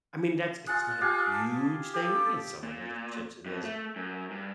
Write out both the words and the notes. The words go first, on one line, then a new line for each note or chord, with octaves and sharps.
I mean that's it's not a huge thing, maybe in some relationships it is
F4 G#4 F#6
F4 G4 G#4
A5
G4 A4
A#2
F2
A3
F#2
G2